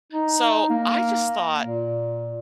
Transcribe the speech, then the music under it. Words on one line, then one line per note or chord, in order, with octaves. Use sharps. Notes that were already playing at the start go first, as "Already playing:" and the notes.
so I just thought
D#4
A#3
A#2